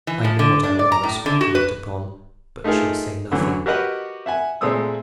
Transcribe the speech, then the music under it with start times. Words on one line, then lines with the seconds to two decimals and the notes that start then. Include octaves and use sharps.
I know what I rather speculate upon, but shall say nothing.
0.07 E3
0.24 F3
0.39 D3
0.63 D4
0.79 D5
0.92 A#5
1.03 A2
1.26 D3
1.41 F#4
1.55 B4
2.64 A3 D#4 F4 G#4 A#4
3.31 F#2 D3 E3 F#3
3.66 F#4 G4 A#4 B4 D#5 F#5
4.26 E5 F#5 G#5
4.61 A#2 G#3 A3 C4 D#6 E6